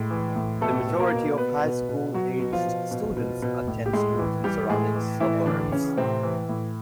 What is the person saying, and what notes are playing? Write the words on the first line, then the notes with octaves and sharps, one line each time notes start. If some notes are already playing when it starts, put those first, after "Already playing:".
The majority of highschool-aged students attend schools in surrounding suburbs.
Already playing: A2 G#3
E3
A2
B2 A3 A4
B2
A#3 A#4
B2
B2 B3 B4
B2
B2
B2 F#3 F#4
B2
F3 F4
B2
B2
B2
B2
A2
G4
A2 G#3 G#4
E3
E3 G3 G4
A2 G#3 G#4
E3
A2 E3 E4
D3 E3 D4
C#3 E3 C#4
A2 C3 C4
E3
A2